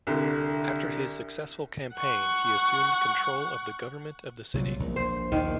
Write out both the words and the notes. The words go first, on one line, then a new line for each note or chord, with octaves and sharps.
After his successful campaign he assumed control of the government of the city.
C2 D3
F#5 C#6
C2 A#2 F#3
A#1
C5
A#1 D#2 A#2 D#3